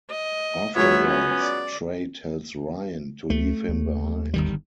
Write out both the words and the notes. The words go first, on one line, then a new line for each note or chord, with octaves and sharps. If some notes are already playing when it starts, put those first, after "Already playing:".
Afterwards, Trey tells Ryan to leave him behind.
D#5
F#3 G#3 B3 F4 C#5 E5
C#4
D5
D2 A3
D#2
G1 D#3 G3